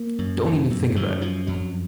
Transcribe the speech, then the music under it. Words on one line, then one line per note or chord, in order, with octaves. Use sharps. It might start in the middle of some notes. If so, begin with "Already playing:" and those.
Don't even think about it!
Already playing: A#3
F#2
C#3
F#2
F#2 D#3
F#2 F3
F2 F#3